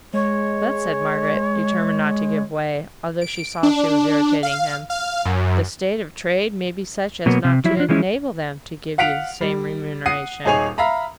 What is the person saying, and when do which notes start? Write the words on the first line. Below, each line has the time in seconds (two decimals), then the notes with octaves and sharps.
'But said Margaret, determined not to give way, although she saw she was irritating him, 'the state of trade may be such as not to enable them to give you the same remuneration.
0.14 G#3 C#5
3.21 D7
3.63 D4
4.43 F5
4.90 F5
5.25 F#2
7.26 B2 F#3 A#3 B3
7.44 C3
7.64 F3 F#3 E4
7.77 F3 D4
7.89 E3 F3 G#3 C#4 E4
8.98 F5 F#5 B6 D7 F7
9.41 G3
10.06 F#5 D#6 C7 D#7
10.45 D#1 D#4 G#4 C#5 G#5 F7
10.78 E5 F5 A#5 B5